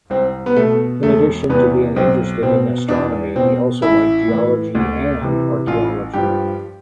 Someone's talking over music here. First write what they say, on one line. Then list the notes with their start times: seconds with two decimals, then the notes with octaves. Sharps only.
In addition to being interested in astronomy, he also liked geology and archeology.
0.10 C2 C4
0.46 B3
0.56 B2 A3
1.03 E1 A3
1.49 E2 C3 B3
1.96 B1 C4
2.43 B2 C4
2.89 E2 D4
3.35 B2 C4
3.82 A1 E4
4.28 A2 E3
4.75 D2
5.21 C3 E3
5.67 A1 F4
6.14 G2 F3 G4